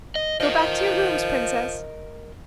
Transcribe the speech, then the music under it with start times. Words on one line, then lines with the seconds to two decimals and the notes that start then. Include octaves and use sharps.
Go back to your rooms, Princess.
0.15 D#5
0.40 F3 A#4 D#5